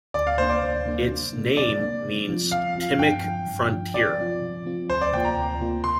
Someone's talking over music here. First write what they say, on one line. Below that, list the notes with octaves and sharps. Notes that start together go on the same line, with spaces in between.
Its name means "Timok frontier".
D2 D5
F5
C3 A#3 D4 C5
D5
D2
C3 A#3 D4
C3
A#3 D4
C3 D5
A#3 D4
C3
F3 C4 F4
C3 F5
F3 C4 F4
G2 G5
F3 D4
G2
F3 D4
C3 D5
F3 C4 F4
C3
F3 C4 F4
D2 C5
D5
C3 A#3 F4 G5
A#5
D2
C3 A#3 F4
C6